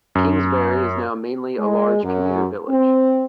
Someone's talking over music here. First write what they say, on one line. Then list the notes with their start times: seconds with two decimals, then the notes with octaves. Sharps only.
Kingsbury is now mainly a large commuter village.
0.15 F#2
1.58 G#3
2.03 F#2
2.69 C4